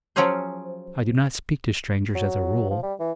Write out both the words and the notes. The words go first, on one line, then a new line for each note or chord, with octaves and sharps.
I do not speak to strangers as a rule.
F3 F#3 C#4 F4 G#4 C5
F#3
F3
G3
E3